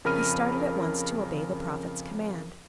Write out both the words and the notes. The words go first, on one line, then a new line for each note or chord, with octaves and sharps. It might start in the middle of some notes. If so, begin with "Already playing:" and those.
He started at once to obey the prophet's command.
F2 C#3 A#4 B5 F6 D#7